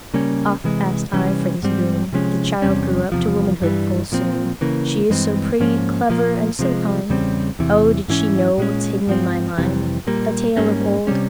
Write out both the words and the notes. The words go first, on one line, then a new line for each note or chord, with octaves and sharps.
Oft asked I for this boon. The child grew up to womanhood full soon. She is so pretty, clever, and so kind Oh, did she know what's hidden in my mind-- A tale of old.
C#3 G3 A#3 C#4
C3 E3 G#3
C3 E3 G3 C#4
G#2 G3 C4
C3 F3 G#3 C#4
E2 C3 G3 C#4
E2 C3 F3
G2 E3 G3
A#2 F3 C4
C#3 E3 A#3
G2 E3 G#3 C4
G#2 F3 A#3 C#4
A#2 F3 A#3
C3 F3 G#3
E2 C#3 G3 C4
E2 C3 E3
G#2 E3 G3 C#4
A#2 G#3 C#4
G#2 F3 C4
F2 C3 E3 G3
A#2 G3 A#3
G#2 G3 A#3 C#4
C3 G3 C#4